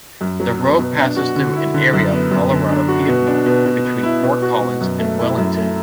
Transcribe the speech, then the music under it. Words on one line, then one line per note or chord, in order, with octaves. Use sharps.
The road passes through an area of Colorado Piedmont, between Fort Collins and Wellington.
F#2
F#3
B3
B2
D4
F#4
D3
E4
D3
F#2
B3
F#2
D3
D4
F#4
B2
D4
B2
B2
B3
E4
B2
F#4
B2
F#2
A3
E4
F#2
A3